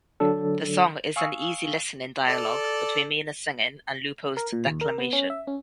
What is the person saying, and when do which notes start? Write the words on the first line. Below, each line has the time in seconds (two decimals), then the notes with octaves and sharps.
The song is an easy listening dialogue between Mina's singing and Lupo's declamation.
0.20 D3 F#3 D4 A4
1.16 F5 G#5 C#6 D#6 E6
2.29 A4 D5
4.37 A#4
4.53 A#2
4.66 D#2
4.81 A#4
4.98 B3
5.13 C#4
5.30 E5
5.47 C#4